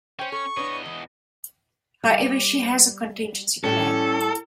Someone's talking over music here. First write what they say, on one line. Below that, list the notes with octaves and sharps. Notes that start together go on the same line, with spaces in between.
However, she has a contingency plan.
C#4 C5 G5
A4 C#6
E2 D4 B4 C#5 D#5
E3
G3
A2 G3 C#4 A4